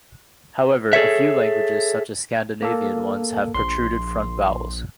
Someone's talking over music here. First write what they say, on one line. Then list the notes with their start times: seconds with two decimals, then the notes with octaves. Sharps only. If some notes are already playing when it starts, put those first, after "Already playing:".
However, a few languages, such as Scandinavian ones, have protruded front vowels.
0.93 G#4 A4 C#5 E5
2.62 A#3 A4
3.55 A#1 C6